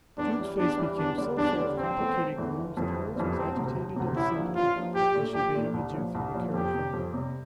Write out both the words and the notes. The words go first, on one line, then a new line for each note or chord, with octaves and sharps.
Jude's face became so full of complicated glooms that hers was agitated in sympathy as she bade him adieu through the carriage window.
E2 D4
E3 G3
E2 D4
E3 G3
E2 D4
D3 G3 D4
E2 D4
D3 G3 D4
E1 C4
E2 E3 A3
E1
E2 E3 A3
G1
F2 E3 G3 C4
G1
F2 E3 G3 C4
E1 C4
D2 C3
E1
D2 C3
A1 E4
G2 F3 A#3
A1 F4
G2 F3 A#3
A#1 G4
A#2 A3 D4
A#1 G4
A#2 A3 D4
C2
A#2 F3
C2
A#2 F3
F2 G4
C3 G3
F2
C3 G3